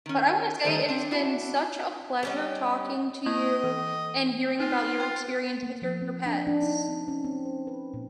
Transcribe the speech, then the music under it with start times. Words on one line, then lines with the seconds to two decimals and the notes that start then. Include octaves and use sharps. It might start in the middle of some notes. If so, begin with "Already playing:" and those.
But, I wanna say, it has been such a pleasure talking to you and hearing about your experience with your pets.
0.06 D#3 C#4
0.64 D#3 G3 A3 D#4 C5
0.89 C4 D4
1.11 D4 E4 F#4
2.23 G3 C#4 D#4
3.26 A#3 E4 D#5 G#6
3.64 E3
4.59 D#4 F4 C5
5.00 G5 C6
5.63 A#3
5.82 F3
6.02 C4
6.26 D4
6.47 D4
6.62 D#4
6.88 C4
7.08 C#4
7.24 C4
7.45 C5
7.67 B4
7.94 A#2